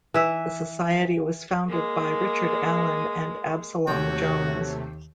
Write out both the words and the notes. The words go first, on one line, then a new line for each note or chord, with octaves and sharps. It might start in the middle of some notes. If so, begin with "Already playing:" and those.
The Society was founded by Richard Allen and Absalom Jones.
E3 E5
G#3 A#3
D#2 C3 A3 F#4 C#5 G5